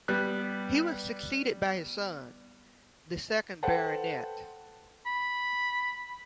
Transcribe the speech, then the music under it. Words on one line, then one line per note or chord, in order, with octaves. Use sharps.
He was succeeded by his son, the second Baronet.
G3 B3 F#6
A4 B4 C5 F#5 G5 A5
B5